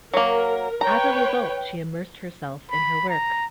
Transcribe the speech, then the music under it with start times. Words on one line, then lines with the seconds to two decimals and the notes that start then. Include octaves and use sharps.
As a result, she immersed herself in her work.
0.14 F#3 A#3 A#4
0.81 B4 C#5 G5 A#5
2.71 B5
3.09 A#5